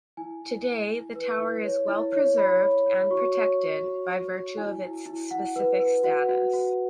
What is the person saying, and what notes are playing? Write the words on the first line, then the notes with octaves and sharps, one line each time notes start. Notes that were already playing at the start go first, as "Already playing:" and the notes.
Today the tower is well preserved and protected by virtue of its specific status.
E4 G#5
E4
E4
E4
B4
E4
C#5
E4
C#5
C#5 B5
C#5
C#5
F#4 C#6
C#5
C#5
F#4
F#4
F#4
E4 G#5
E4
E4
E4 F#5
B4
B4
F#4 F#5
F#4
F#4